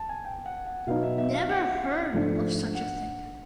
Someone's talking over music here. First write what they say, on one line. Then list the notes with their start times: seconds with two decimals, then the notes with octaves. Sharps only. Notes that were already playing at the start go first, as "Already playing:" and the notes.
Never heard of such a thing.
Already playing: A5
0.09 G#5
0.25 G5
0.46 F#5
0.66 F#5
0.87 B2 F#3 B3 D#4 F5
1.03 E5
1.18 E5
1.34 F5
1.49 F#5
2.13 G#2 F3 A3 D4
2.75 F#5